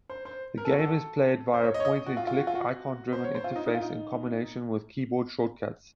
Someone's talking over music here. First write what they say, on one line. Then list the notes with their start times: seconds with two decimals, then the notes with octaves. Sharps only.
The game is played via a point-and-click, icon-driven interface in combination with keyboard shortcuts.
0.10 C5
0.25 C5
0.57 A#4
0.65 A4
0.71 F#4
0.79 A4
1.54 C5
1.64 C#5
1.74 D#5
1.80 C#5
1.85 D#5
1.96 D#5
2.06 F#4
2.17 F4
2.27 F4
2.38 F#4
2.47 F4
2.55 F#4
3.13 C5
3.24 C#5
3.35 C5
3.44 F4
3.56 D#4
3.66 D#4
3.74 F4
3.82 D#4